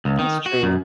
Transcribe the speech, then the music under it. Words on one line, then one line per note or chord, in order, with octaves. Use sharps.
That's true.
C#2
D#3
F#4
F#2